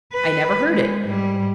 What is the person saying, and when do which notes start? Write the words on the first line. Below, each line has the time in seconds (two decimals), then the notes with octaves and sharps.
"I never heard it."
0.13 B4
0.69 G#3
1.05 G#2 G3